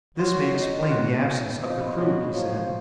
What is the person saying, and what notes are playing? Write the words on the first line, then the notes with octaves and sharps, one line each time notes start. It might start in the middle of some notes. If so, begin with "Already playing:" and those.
"This may explain the absence of the crew," he said.
F#3 F4
D#4
F4
F#4
F3 D#4
B3
F#3 G#3
F3 F#3